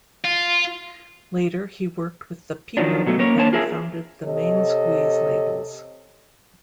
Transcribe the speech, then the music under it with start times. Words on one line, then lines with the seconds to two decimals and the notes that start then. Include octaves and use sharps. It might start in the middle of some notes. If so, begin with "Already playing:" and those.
Later, he worked with the "People" and founded the "Main Squeeze" labels.
0.25 F4
2.77 D#3 F3 F#3 D4
3.06 B2 F#3 A3
3.19 A#3 C#4 A#4 C#5
3.37 A#3 D4 C5 C#5 A5
3.53 F4 G#4 A#4 E5
4.24 C3 A4 C#5 D#5